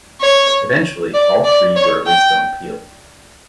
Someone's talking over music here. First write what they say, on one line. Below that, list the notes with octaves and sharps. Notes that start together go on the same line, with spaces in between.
Eventually, all three were released on appeal.
C#5
D5
D5
C#5
G5